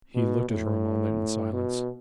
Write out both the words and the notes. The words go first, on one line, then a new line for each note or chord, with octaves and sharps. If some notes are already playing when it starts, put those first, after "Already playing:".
He looked at her a moment in silence.
B2
A2
B2